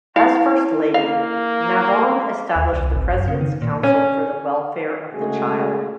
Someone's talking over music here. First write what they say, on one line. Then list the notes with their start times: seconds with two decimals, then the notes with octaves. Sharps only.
As First Lady, Navon established the President's Council for the Welfare of the Child.
0.16 E4 F5
0.94 A#3 F5
2.56 D#2
2.73 C2
2.95 G#1
3.12 F#2
3.28 C#3
3.41 D#3
3.62 A#2
3.83 C#4
5.14 C#3 G#3 A3 F#4 G#4